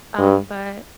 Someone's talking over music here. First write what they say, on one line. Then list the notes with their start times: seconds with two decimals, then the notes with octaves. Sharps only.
um, but
0.18 G2